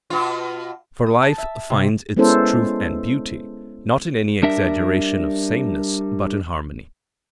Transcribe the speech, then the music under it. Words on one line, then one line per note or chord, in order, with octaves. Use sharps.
For life finds its truth and beauty, not in any exaggeration of sameness, but in harmony.
B2 F4
D#6
A5
E5
C3
G#3 B3 C#4 E4 A4 C5
G3 D4 A#4 E5